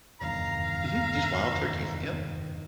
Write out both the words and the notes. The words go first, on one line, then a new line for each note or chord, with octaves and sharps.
Mhm, just wild turkeys, yep.
F1 E2 G2 D#3 F5 A#5